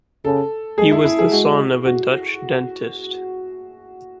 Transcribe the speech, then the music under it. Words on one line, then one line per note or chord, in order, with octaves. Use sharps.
He was the son of a Dutch dentist.
C#3 A4
G#3 G#4
E4
E4
G#4
G#3 F#4
F#4